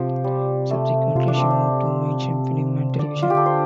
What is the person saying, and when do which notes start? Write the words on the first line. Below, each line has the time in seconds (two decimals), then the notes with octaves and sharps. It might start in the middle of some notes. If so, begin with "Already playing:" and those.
Subsequently, she moved to mainstream film and television.
Already playing: C3 F3 G4 C5
0.24 G3
0.70 A3
1.15 C3 F4
1.28 D4
1.40 C4
1.51 D4
2.99 D3 D5
3.22 F4
3.30 G4
3.37 A4
3.46 C5